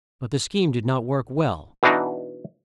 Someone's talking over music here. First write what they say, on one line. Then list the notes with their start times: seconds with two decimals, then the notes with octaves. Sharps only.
But the scheme did not work well.
1.83 B2 E3 D4 D#4 F#4